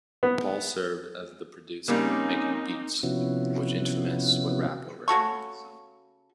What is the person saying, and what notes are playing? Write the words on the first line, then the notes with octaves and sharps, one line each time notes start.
Paul served as the producer, making beats, which Infamous would rap over.
B3
C#3 G3 A#3 C4 C#4 D#4
C3 F3 B3 C#4 E4 F#4
C#3 F#4 A4 C#6